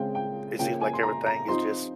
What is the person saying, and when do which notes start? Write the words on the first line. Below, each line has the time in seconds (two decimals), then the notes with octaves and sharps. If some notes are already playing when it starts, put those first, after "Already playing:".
it seems like everything is just
Already playing: C#3 G#3 C4 F4 G5
0.15 G5
0.59 C#3 F3 A#3 G5
0.81 G#5
0.93 C6
1.03 A#5
1.26 A#5
1.48 F3 C4 D#4 C6